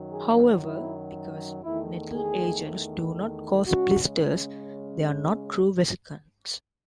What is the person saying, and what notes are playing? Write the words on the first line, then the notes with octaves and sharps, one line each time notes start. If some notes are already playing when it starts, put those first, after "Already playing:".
However, because nettle agents do not cause blisters, they are not true vesicants.
Already playing: F#2 D#3 F#3
G#4
E4
E2 D#3 A3 E4
G#4
C#3 G#3 C#4 F#4